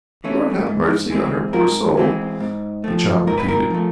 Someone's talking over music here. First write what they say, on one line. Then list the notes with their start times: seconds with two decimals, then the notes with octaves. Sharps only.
"Lord, have mercy on her poor soul," the child repeated.
0.24 E3 A3 C#4
0.67 G#2
1.10 E3 G#3 C4
1.53 G#2 A#4
1.97 E3 G#3 C4
2.40 G#2
2.84 F3 A3
3.27 G#2 A#4
3.38 B4
3.48 A#4
3.70 F3 A3